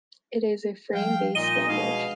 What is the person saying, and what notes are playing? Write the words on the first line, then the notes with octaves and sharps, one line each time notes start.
It is a frame-based language.
F3 G3 F5 G5
A#2 D#4 D#5 D#7 G7
B2 G#3 D4 D#4 G#4 F5